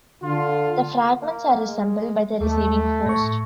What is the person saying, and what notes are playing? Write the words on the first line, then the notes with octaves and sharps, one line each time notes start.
The fragments are reassembled by the receiving host.
D3 F4
A#3
G#3
D#2 A3
A2 C#6